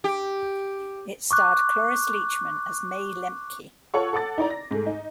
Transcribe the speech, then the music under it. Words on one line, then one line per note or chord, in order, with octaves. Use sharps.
It starred Cloris Leachman as May Lemke.
G4
C#6 D6 F#6
F4 A4 C#5 F#5 C#6
A4 F#5 A5 D6 A6
D#4 E4 D5 A#5
A#6
G#2 A3
D#4